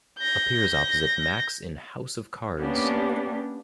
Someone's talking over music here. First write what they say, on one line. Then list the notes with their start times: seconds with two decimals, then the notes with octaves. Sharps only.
Appears opposite Max in "House of Cards".
0.19 G6 A#6
2.59 A#3 B3 C#4 D4 G4